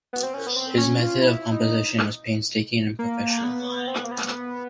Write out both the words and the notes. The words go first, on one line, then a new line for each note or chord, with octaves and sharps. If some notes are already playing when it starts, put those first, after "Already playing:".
His method of composition was painstaking and professional.
B3
C4
C#4
B3
C4
C#4
F4
E4
D#4
A#3
B3
C4
B3
A#3
B3